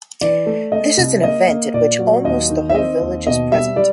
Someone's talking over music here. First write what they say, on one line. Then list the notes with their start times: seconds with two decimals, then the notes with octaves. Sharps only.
This is an event at which almost the whole village is present.
0.21 E3 D5
0.46 A3
0.72 A3 D#5
0.98 C2
1.23 A#3 D#5
1.48 A#3
1.74 A#2 D5
1.99 F#3
2.24 D#2 D#5
2.50 D#3
2.69 E5
2.75 C4 D#5
3.01 D#2
3.27 B2 D#5
3.52 G3 E5
3.76 G3 D5